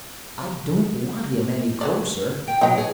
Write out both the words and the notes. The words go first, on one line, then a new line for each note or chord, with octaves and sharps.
"I don't want him any closer."
B4 C#5 D5
G5
B2 F#3 D#4 F#5 G5
G#4